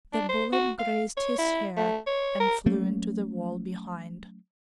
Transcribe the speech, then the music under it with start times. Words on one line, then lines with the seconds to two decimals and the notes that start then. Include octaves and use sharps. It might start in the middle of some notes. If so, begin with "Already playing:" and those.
The bullet grazed his hair and flew into the wall behind.
0.13 D4
0.29 C5
0.52 F#4
0.79 F5
1.17 C#5
1.38 E4
1.77 A3
2.07 C#5
2.40 A#4
2.66 F#3 A3 A#3 C#4